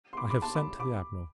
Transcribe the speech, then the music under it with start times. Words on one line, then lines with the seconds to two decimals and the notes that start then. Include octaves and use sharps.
I have sent to the Admiral.
0.13 C6
0.17 B5 D6
0.30 B5 D6
0.42 A5 C6
0.55 B5 D6
0.79 B5 D6